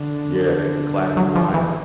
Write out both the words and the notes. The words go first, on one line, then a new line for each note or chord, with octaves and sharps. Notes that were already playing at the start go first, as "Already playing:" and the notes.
Yeah, they the classic line of
Already playing: D3
F#3
F3
E3